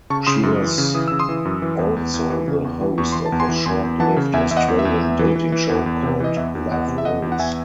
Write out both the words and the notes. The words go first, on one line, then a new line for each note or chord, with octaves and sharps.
She was also the host of a short-lived Australian dating show called "Love Rules".
C#3 A5 C#6
C#3 C6 D#6
F#2
E3
C#3
E3 D#6
C#3 E6
C6 D#6
E3
F#2
E3
E2
E2
E2
E3
C#3
E2
E3
E2 C#6
E3 C6
A5
E2
G#5 C6
E3
E2 G#5 C6
E2
E3 F#5 A5
C#3
E2 E5 G#5
E2 E5
D#5 F#5
E2
E5
E2
E2
E3
E3
E3
E2
E2
C3
E3 D#5
E2 E5
E2
E2 D#5 F#5
C3
E5
E2 D#5 F#5
E2
F#5
E2 E5 G#5